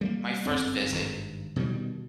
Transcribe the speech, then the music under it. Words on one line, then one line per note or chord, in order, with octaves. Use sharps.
my first visit-
G3 A3 A#3
G1 F#2 C4
G#1 G2
B2 D#3 E3 G3